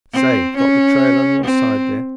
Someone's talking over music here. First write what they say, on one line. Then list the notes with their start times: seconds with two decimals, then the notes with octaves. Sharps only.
Say, got the trail on your side there?
0.13 C4
0.57 C#4
1.44 C4